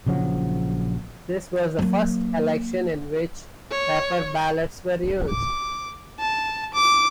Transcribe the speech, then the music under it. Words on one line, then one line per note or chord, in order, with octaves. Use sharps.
This was the first election in which paper ballots were used.
A#1 C#3 F3 F#3
F#3 A#3
C#5
D6
A5
D6